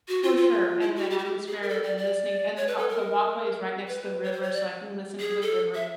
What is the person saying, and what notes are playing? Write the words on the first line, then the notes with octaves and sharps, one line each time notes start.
for sure, and the atmosphere, and listening, and a the walkway is right next to the river, so I can listen to the river,
F#4
F4
F4
E4
F#4
G4
F#4
G4
G#4
A#4
A4
D5
D5
C#5
B4
A4
A#4
B4
C#5
C5
C#5
D5
G#4
A4
E5